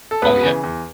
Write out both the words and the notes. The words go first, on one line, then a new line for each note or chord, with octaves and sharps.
Oh yeah.
A4
C#2 B3 B4
C#3 E3
E2